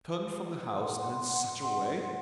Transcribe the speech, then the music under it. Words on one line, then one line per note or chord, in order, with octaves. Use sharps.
Turned from the house, and in such a way!
F#5 C6